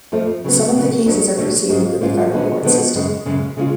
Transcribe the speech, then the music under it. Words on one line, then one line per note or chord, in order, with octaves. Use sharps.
Some of the cases are proceeding through the federal court system.
F2 F3 A3
C#3 F#3 B3
C#3 F#3 B3
D2 D3 F#3 A3
D2 D3 F#3 A3
G#2 G#3 C#4 F4
G#2 G#3 C#4 F4
D3 F3 G#3 B3 F#4
D3 F3 G#3 B3 F#4
F#2 C#3 G#3
F#2 C#3 G#3
C#3 G#3 C#4 F4